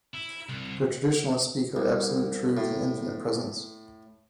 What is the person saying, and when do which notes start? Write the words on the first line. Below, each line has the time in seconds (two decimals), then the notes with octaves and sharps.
The Traditionalists speak of "absolute Truth and infinite Presence".
0.14 E4
0.50 C2
1.76 C2
2.57 A2